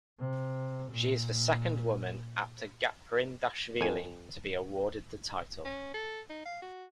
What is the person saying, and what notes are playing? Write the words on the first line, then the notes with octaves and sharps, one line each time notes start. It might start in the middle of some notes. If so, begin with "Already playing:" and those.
She is the second woman, after Gaprindashvili, to be awarded the title.
C3
A#2
F2 G#5
C#4
A4
D#4
F5
F#4